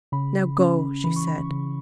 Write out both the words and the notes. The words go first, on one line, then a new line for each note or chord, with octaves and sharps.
"Now go," she said.
C#3 B5
C#4
E3 B5
C#6
B5
C#3